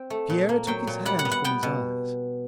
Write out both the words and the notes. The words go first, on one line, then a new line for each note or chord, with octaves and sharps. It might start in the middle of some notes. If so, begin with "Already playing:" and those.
Pierre took his hands from his eyes.
Already playing: C4 G5
A3
A#2
A#3
F#3 G5
A#2
G3 F#5
F#5
B3
F#5
B3 G5
B2